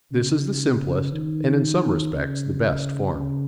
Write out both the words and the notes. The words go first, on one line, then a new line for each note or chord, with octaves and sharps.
This is the simplest, and in some respects the best, form.
C#3
D#3
C#3
C#3